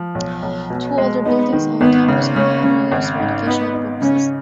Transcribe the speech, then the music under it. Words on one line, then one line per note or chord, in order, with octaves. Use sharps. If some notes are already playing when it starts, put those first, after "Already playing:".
Two older buildings on the campus are no longer used for educational purposes.
Already playing: F3
B1
B1
B2
G#3
B3 D#4
D#3
G#1 B3
C#3
C#3 C#4
C#3
G#1
G#2
B3 D#4
D#4
C#3 C#4